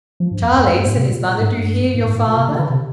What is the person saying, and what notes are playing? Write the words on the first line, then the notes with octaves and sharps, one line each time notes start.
"Charlie," said his mother, "do you hear your father?"
F3
G2
F2
F2
G2
G#2
C3
A#2
G#2
G2
G#2
G#2
G#2
A#2
C3
D3
D3
C3